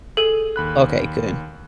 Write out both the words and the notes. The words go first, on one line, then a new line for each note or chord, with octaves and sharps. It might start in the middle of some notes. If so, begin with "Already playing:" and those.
Okay, good.
G#4 A4 D#7
D#2 B5 F#6